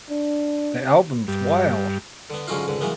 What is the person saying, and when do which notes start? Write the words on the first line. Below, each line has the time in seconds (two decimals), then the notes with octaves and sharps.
The albums Wild!
0.10 D4
1.28 G2
2.30 D3 B3
2.48 G#2 D3 F#3 C#4 D#4 F4
2.68 C#2 G#2 D3
2.81 E3 F#3 G#3 A#3 B3